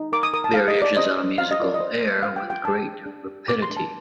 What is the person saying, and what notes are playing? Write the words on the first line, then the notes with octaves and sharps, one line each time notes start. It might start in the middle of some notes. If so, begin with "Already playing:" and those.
Variations on a musical air With great rapidity.
Already playing: D#4
A#4 D6
D#6
A#4 D#6
A5
D#4 F5
D#5
A#4
D5
C5 D#5
C5
C5 F5
D#5
F4 D5
D#5
C5
C5
D4 F5
G5
F4
G5
D4 A5
D4
D4
G4
D4 D6
C6
D4
A5